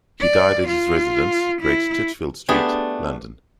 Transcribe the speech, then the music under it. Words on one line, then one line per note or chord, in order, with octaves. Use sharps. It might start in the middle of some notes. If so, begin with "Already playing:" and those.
He died at his residence, Great Titchfield Street, London.
D5
F4
E4
A3 B3 D4 G4 G#4